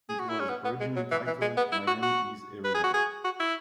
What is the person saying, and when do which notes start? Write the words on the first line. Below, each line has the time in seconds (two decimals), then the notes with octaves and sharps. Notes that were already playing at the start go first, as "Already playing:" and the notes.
It was originally titled "My Name is Everyone".
0.09 G#4
0.20 F#4
0.30 E4
0.40 C#4
0.50 B3
0.65 B3
0.80 G#3
0.96 F#3
1.11 E3
1.27 E3
1.42 G#3
1.57 B3
1.72 E4
1.87 F#4
2.03 F#4
2.64 B4
2.74 G#4
2.84 F#4
2.94 G#4
3.25 F#4
3.40 E4